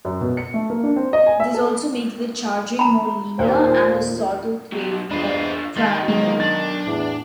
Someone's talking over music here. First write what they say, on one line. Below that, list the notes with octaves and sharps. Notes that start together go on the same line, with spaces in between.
This also makes the charging more linear, and the sawtooth wave more triangular.
F#2
B2
C#7
A3
A#3
D4
C4
D#5
G#5
E5
A4
A#5 B5
D#2 A#2 C5
B2 F#3
E2 D4 F4 C5 D#5 B5
C3 D#3 G#3 C6 A6
B2 F#3 G#3 A#3
D4 A6
E2 A2